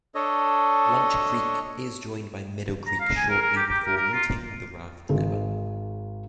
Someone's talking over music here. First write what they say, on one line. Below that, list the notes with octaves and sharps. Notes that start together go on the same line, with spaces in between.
Lunch Creek is joined by Meadow Creek shortly before meeting the Raft River.
D4 A4 C#5 D#5
A#5
F5
G#5
A#4
A#4
G4
G4
A#4
A#4
F4
G#1 D#3 G#4